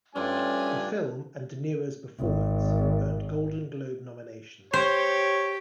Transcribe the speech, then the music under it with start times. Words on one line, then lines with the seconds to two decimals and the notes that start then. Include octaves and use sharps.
The film, and De Niro's performance, earned Golden Globe nominations.
0.16 G2 A3 C#4 D4 F4 G#5
2.20 G#1
4.73 G4 C5 C#5